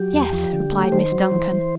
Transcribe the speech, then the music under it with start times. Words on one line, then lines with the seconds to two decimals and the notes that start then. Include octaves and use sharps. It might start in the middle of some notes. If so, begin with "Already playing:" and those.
"Yes," replied Miss Duncan.
Already playing: F#3 G4
0.13 E2
0.33 F3
0.53 D3
0.72 A3
0.92 D#3 C5
1.12 F#3
1.32 E3
1.52 E3